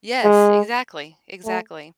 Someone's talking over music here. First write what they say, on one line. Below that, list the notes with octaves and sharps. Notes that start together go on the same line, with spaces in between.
Yes, exactly, exactly.
G#3
A3